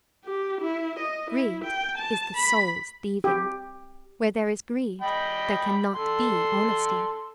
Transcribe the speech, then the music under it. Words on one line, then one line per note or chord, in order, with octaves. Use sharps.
Greed is the soul's thieving; where there is greed, there can not be honesty.
G4
E4
D#5
E4
G5
A5
B5
G4
D#5 G5 B5
A4 C6